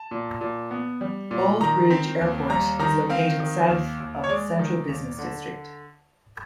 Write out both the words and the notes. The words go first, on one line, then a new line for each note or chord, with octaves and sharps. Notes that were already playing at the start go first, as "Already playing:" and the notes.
Old Bridge Airport is located south of the central business district.
Already playing: A5
A#2
A#2
B3
G3
A#2
D#3 A#5
C4
D#2
G3 A#5
D#3 A#5
C4 F5
D#3
D#2
D#2
C#5
G#3 D5
D#3
D#2
D3